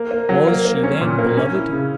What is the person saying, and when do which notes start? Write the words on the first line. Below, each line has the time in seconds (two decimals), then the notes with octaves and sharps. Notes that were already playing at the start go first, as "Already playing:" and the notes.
Was she then beloved?
Already playing: A#3
0.11 A#3
0.29 F#3
0.47 A#3
0.65 A#3
0.83 C#4
1.01 A#2
1.19 A#3
1.37 C#4
1.55 E4
1.73 C#3